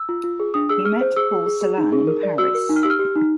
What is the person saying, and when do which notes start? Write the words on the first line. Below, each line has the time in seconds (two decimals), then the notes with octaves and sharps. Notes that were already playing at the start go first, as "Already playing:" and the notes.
He met Paul Celan in Paris.
Already playing: E6
0.09 F4
0.24 F4
0.40 G#4
0.54 D4 D#6
0.69 G#4 E6
0.85 G#4 F6
1.01 C5
1.16 G#4 E6
1.31 G#4
1.46 G#4
1.61 G#4
1.78 D#4
1.92 G#4
2.07 A#4
2.23 D5
2.38 F#4 E6
2.54 A#4
2.69 D#4
2.76 F6
2.83 G4 E6
2.90 F6
2.99 G4
3.16 D#4